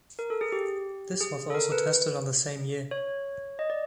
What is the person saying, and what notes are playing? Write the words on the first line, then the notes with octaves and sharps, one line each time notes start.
This was also tested on the same year.
A#4
A4
G#4
G4
G#4
A4
A#4
B4
C#5
D#5
D5